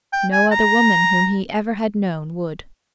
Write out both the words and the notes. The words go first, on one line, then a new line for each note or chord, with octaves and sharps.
No other woman whom he ever had known would.
G5
G#5
A#5